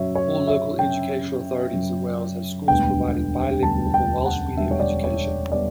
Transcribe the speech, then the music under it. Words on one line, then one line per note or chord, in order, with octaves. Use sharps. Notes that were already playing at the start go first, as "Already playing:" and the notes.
All local education authorities in Wales have schools providing bilingual or Welsh-medium education.
Already playing: F#2 C#3 F#3 C#5 E5
C#5
E5
F#2 C#3 F#3 G5
F#2 C#3 F#3
E1 D2 D3 G3 B3 G5
E1 D2 D3 G3 B3 A5
G5
F#5
E1 D2 D3 G3 B3 E5
C#5
D5
C#5
D3 G3 B3 D5